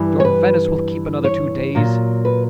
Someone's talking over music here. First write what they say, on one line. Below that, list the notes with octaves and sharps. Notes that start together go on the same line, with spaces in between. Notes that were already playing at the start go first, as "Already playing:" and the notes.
Your Venice will keep another two days.
Already playing: G2 E3 G3
C#5
B4
C#5
A#2 F#3
B4